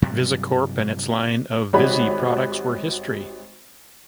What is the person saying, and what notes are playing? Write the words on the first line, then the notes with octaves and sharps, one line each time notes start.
VisiCorp, and its line of "VisiProducts", were history.
G2 C3 F#3 G3
G#1 G3 F#4 C#5 B5